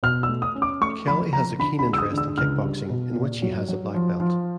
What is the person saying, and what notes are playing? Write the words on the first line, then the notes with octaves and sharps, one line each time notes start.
Kelly has a keen interest in Kickboxing, in which he has a black belt.
B2 F6
E6
A3
D#6
C#4
D6
A3 C#6
F3 B5
F3 A#5
D3 B5
B5
G#3
E6
D#6
D3
E6
C#2 F6
G3
B2
A#2
F#3
F#3
F3
F3